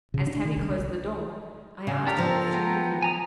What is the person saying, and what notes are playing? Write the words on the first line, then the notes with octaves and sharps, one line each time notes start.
As Tabby closed the door, I asked her if she knew him.
C#3
D4
D#3
C2
C#3
D4 G4 A#4
F3 A4 A#5
B3 G5 A#5
G#5 A#5 D#6